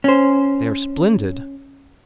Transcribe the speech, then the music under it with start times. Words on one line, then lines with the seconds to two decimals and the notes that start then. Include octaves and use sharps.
They are splendid.
0.04 C#4 C5